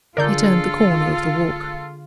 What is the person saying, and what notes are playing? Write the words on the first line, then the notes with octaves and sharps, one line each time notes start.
They turned the corner of the walk.
D3 G#3 F4 A4 A#4 D5 G6